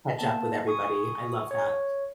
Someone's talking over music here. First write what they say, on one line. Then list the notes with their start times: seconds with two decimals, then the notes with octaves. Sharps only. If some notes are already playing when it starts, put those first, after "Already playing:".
catch up with everybody. I love that.
0.19 A#3 B3 A5
0.67 G#5 C#6 D#6
1.51 C#5